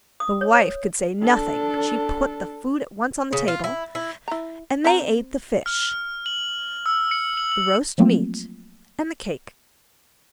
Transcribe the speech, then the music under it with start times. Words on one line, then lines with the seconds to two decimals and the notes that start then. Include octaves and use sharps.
The wife could say nothing, but she put the food at once on the table, and they ate the fish, the roast meat, and the cakes.
0.20 D#6
0.41 C#5
0.54 C#5
1.22 D4 A4
3.33 C#3
3.48 F4
3.64 E4
3.95 E4
4.28 E4 A#5
4.84 C4 C5 A#5
5.66 F6
6.26 F#7
6.86 E6
7.11 C#7
7.37 F#7
7.52 F#7
7.98 F3 F#3 A3 A#3 C4 F4